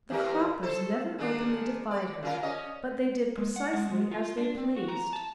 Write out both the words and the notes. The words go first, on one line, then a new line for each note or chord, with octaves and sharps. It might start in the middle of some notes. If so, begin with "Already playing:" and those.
The Croppers never openly defied her, but they did precisely as they pleased.
E2 G4 A#4
A4 B4 C5
D#3 G#3 D4
D5
C#3 F4 A#4
C#4 D#5
G#3
F#5
G#3
G#3
F4
D4
C4
F#4
A#5
A5